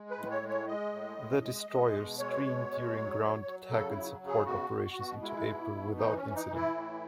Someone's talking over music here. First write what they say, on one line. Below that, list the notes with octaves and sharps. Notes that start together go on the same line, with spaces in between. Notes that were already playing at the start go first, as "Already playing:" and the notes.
The destroyer screened during ground attack and support operations into April without incident.
Already playing: G#3
B4
A2
C#5
G#3
C#5
G#3 D#5
A2
G#3
G#3
G#3
B2
G#3 C#5
B2
G#3
F#3
F#3
F#3
C#3 A4
E4
F#3
C#3
G#4
B2 F#4
B2
B2
G#3 E4
B2
B2
E3 D#4
C#4
E3
D#4
E3
E4
A2